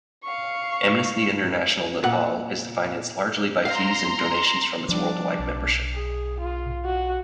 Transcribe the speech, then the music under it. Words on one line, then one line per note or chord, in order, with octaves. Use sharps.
Amnesty International Nepal is financed largely by fees and donations from its worldwide membership.
F5 C#6
A#2 F#5
F5 A#5 C6
F3 G3 D4
B1
G#4
F4
F#4